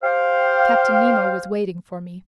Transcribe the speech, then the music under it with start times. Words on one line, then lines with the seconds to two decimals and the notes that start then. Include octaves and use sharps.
Captain Nemo was waiting for me.
0.03 G4 C5 F5